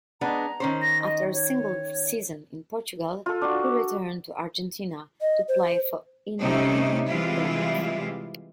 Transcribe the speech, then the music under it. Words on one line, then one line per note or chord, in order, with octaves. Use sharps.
After a single season in Portugal, he returned to Argentina to play for Independiente.
G#3 B3 D4 A#5
D#3 C#4 C5
A#6
D#5
C#5
F4 A4
D4 F#4
D#5
C5
C3 G3 A3 C#4 D#4
C3 E3 G3 G#3 E4 F4